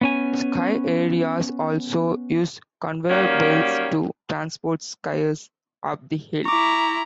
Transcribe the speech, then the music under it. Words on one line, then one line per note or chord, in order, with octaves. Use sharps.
Ski areas also use conveyor belts to transport skiers up the hill.
B3 C#4 G#5
D#3 F#3 G3 A#3 C#4
E4 A#5 C#6 D6